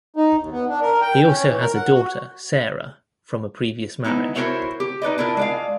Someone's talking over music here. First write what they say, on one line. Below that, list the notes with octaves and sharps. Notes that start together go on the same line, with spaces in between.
He also has a daughter, Sarah, from a previous marriage.
D#4
D#2
B3
D4
A#4
G5
C#4
E3
A#4
F#5
F#4
G#3 B3 D#4 E4
E4 F#4 A#4 C5 C#5 E5
G4
D#4 B4 D5 D#5
D4 E4 F4 A#4
G#3 D5 F5